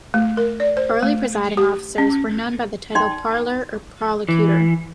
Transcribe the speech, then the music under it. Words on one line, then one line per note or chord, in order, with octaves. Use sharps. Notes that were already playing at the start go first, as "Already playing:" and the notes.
Early presiding officers were known by the title parlour or prolocutor.
A3
A#4
D5
C5
A3
G4
C#4
D#4 D5 G5 C6
E3